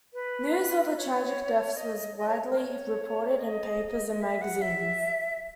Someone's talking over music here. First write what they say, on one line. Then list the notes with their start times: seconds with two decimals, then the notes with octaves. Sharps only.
News of the tragic deaths was widely reported in papers and magazines.
0.14 B4
0.96 C#5
1.77 D#5
2.18 D#5
2.28 C#5
2.48 A#4
2.58 C#5
3.39 D#5
4.21 E5
4.41 F#5
4.62 E5